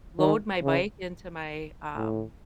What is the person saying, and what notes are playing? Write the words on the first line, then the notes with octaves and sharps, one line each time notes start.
load my bike into my, um,
D#3
C#3
A2